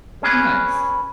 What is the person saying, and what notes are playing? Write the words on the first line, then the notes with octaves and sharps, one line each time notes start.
Oh nice.
C#4 G#4 B4